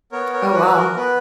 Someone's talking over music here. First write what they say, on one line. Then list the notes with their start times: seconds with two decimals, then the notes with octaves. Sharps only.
Oh wow.
0.12 B3 A#4 C#5
0.33 A#4 C#5
0.54 F#4 B4
0.66 B4
0.75 A#4
0.96 B3 B4